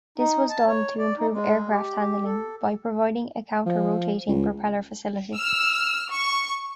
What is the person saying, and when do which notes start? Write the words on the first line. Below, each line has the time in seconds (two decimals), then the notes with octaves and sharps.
This was done to improve aircraft handling by providing a counter-rotating propeller facility.
0.18 D#4
0.50 A5
0.67 C#5
0.98 D5
1.18 D#4
1.32 G#3
1.69 G4
1.99 G4
2.24 A4
3.66 F3
4.28 C#2
5.36 E6 F6
6.12 C#6